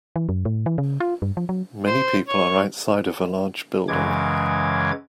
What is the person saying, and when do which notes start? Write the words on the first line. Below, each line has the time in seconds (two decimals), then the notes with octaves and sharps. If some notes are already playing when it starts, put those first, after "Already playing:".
Many people are outside of a large building.
0.16 E3
0.29 F#2
0.45 A2
0.66 E3
0.78 C#3
1.00 F4
1.22 G2
1.37 F3
1.49 F#3
1.87 C5
2.28 C#5
3.88 F#2 C#3 E3 G#3 D6 G#6